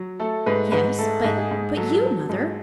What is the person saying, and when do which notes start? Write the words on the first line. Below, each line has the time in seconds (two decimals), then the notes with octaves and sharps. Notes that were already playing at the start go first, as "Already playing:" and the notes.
"Yes--but--but you, Mother?"
Already playing: F#3
0.20 A3 A4
0.46 G#2 B4
0.72 G#2 B4
0.99 A3 A4
1.24 G#2
1.38 G#4
1.51 G#2
1.76 F#3 A4
2.03 F#3
2.29 G#2